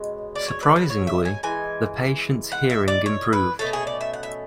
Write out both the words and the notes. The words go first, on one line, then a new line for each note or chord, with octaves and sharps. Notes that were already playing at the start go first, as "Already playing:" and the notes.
Surprisingly, the patient's hearing improved.
Already playing: B2 G#3 C#4
D5
C#5
B4
B4
C#5
E5
G#5
E3 G#3 G#5
F#5
E5
D5
C#5
B4
B2 A3 C#4 A4
G#4
D5
E5
F#5
E5